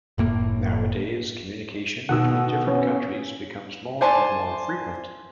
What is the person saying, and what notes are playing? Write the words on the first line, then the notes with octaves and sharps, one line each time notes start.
Nowadays, communication between different countries becomes more and more frequent.
F#1 A2 A#3
B2 D#3 F#5 E6
B3 C#4 C#5
C5 D5 G#5 A5 C6